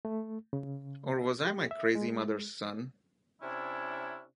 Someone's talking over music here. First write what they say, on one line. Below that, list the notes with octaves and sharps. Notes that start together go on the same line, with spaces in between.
Or was I my crazy mother's son?
A3
C#3
G4
E5
G#3
C3 C#4 D4 E4